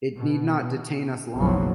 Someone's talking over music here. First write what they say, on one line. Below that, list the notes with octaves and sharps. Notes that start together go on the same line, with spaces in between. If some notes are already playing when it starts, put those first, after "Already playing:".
It need not detain us long.
B2
F#1 B1 F3 F#3